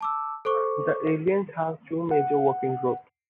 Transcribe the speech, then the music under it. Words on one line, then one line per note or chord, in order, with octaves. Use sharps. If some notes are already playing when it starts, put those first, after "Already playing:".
The Alliance has two major working groups.
A5 D6 E6
A4 C5 C#6 D6
F#5